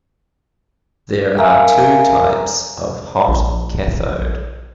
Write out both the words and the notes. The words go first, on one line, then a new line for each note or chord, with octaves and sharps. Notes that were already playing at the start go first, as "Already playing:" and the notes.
There are two types of hot cathode.
A#4 E5 F5 G#5 A#5
A#1